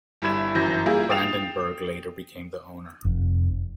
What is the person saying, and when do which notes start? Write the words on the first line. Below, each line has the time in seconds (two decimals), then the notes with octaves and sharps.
Brandenburg later became the owner.
0.22 G1 G3 E4 B5 G#6 E7
0.55 G1 F#2 E3 F#3 G6 A#6
0.86 G3 A#3 E4 F4 G#4
1.10 G5 D#6 A6 C7 E7 F7
3.05 F1